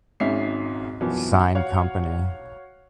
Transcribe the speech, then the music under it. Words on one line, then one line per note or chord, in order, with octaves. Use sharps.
Sign Company.
G#1 G#2 C#4 D#4 E5 C7
F#2 B2 E3 F3
F#4 C#5 F5 F#5